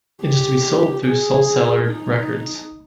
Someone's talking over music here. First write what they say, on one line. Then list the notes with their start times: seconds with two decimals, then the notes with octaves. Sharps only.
It is to be sold through Soulseller Records.
0.23 G4
1.06 G#4
1.87 D#4